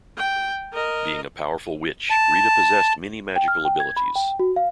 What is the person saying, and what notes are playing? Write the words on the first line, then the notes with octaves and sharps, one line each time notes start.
Being a powerful witch, Rita possessed many magical abilities.
G5
A#4 D#5
A5
G5
F6
G5
G#6
B5
G5
F#4
F5